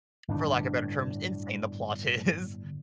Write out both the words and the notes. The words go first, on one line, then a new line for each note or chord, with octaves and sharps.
for lack of better terms, insane the plot is.
G1 A2 D4